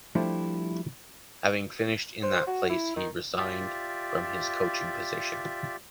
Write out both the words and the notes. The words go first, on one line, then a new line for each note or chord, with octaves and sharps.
Having finished in that place, he resigned from his coaching position.
F3 G3 A3 D4 E4 F4
C5
F#4
E4
D#3
F4 G4 D5 E5